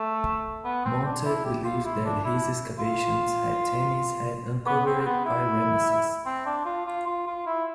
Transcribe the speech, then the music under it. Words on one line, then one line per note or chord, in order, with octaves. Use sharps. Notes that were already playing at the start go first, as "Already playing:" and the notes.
Montet believed that his excavations at Tanis had uncovered Pi-Ramesses.
Already playing: A3
B3
C4
D4
E4
G4
F4
E4
D4
E4
F4
B3
C4
C4
B3
E4
C4
D4
F4
F4
F4
F4
E4